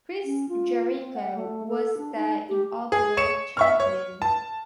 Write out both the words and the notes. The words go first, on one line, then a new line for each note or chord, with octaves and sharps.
Chris Jericho was the inaugural champion.
C#4
F4
C4
F#5
A3
A4
D4
D#4
G4
G#4
C#5 C#6 C#7 E7
E5 C#6 F6
C#5
A5